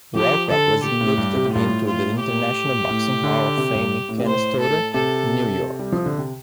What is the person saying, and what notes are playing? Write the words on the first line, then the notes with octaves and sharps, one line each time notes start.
Walcott was inducted into the International Boxing Hall of Fame in Canastota, New York.
F3 G4
D3 A4
G4
A2
G2
C3
A2
G2 F4
A2
F4
G4
A2
D3
C3
G2
A2
C3
A2 C5
A4
C3 A4
G3
F3
D3
C3